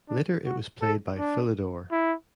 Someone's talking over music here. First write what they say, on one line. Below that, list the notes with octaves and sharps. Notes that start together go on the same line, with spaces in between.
Later it was played by Philidor.
D4
F#4
A4
D4
E4